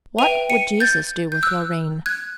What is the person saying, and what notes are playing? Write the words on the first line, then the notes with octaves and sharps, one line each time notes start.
"What would Jesus do with Loreen?"
B4 E5 G5 D#7 F7
C#7 D#7
G6 A6
G6
E6 F#6
F#6 G#6